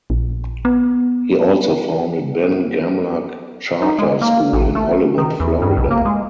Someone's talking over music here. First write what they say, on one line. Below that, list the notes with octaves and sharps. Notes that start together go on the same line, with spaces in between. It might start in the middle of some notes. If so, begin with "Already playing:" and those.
He also founded Ben Gamla Charter School in Hollywood, Florida.
A#1
B3
D#4
G#3
A#3
A1
A3
D#3
E2
G2
B1
A#3
G#3